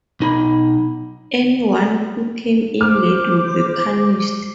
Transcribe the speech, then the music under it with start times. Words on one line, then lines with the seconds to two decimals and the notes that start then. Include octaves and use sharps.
Anyone who came in late would be punished.
0.20 B1 D#4 B5
2.81 C5 D6 F6